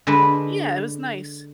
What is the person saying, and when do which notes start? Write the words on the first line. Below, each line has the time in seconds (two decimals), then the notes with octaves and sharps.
Yeah, it was nice.
0.07 D3 G#3 D4 B4